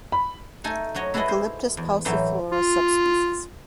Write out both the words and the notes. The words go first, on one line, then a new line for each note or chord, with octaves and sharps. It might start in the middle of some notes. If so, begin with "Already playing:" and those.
Eucalyptus pauciflora subsp.
B5
A3 D#4 G#5 A5
F#3 F#4 C#5 D#5
E4 F#4 G#4 A4 B4 D#5
C5
E2
A2 E3 F#3 G5
F4